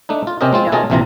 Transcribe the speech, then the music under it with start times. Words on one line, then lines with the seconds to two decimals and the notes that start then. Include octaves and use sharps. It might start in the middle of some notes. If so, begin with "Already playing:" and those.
you know,
0.09 A3 D4 D#4
0.27 F4
0.41 C3 C4 C#4 G4 A#4 D#5
0.53 G#3 C4 F4
0.72 B2 A3 C#4 F4 G#4 A#5
0.90 A#1 F2 C3 E3 F4 A#5